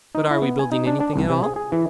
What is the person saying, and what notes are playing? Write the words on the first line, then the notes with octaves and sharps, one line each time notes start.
"But are we building anything at all?"
D#4
E4
B3
G#5
D#4
D4
D4
C2
C3
G#4
G#4
E3